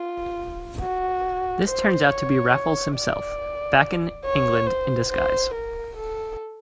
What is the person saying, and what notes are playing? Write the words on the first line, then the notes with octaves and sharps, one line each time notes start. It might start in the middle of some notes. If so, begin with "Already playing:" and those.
This turns out to be Raffles himself, back in England in disguise.
Already playing: F4
F#4
C5
C#5
D5
C#5
C5
C5
A#4
A4